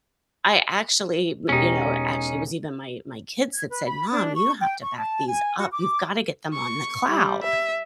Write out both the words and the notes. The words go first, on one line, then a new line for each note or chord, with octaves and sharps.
I actually, w you know, actually, it was even my my kids that said, "Mom, you have to back these up. You've gotta get them on the cloud."
E1 C#4 D#4 G4
G#6
B4
B5
D4
C#6
G5
C#6
A5
G#5
F#4
D6
C#6
G3
E5